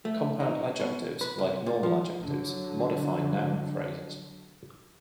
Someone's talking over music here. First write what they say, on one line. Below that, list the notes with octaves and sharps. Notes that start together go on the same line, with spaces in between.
Compound adjectives, like normal adjectives, modify noun phrases.
A3
D#4
B2
B4
C2
A#2
F3
D3 F#3